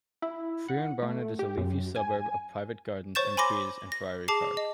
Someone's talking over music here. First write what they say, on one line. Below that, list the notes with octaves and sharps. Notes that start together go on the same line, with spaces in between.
Friern Barnet is a leafy suburb of private gardens and trees and Friary Park.
E4
F#5
A3
G4
F#2
G#5
C5 C#5 C#6 G6 A6 E7
G#5 B5 C6 D6 A#6
A#6
G#4 A5 D6 C7
D#5